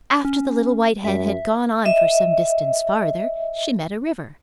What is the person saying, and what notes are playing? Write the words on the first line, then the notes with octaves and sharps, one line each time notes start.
After the little white hen had gone on for some distance farther she met a river.
C#4
F#2 E5
D#5 E5